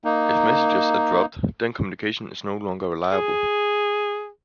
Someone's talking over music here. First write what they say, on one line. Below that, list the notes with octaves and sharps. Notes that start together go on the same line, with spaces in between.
If messages are dropped, then communication is no longer reliable.
A#3 D#4
G#4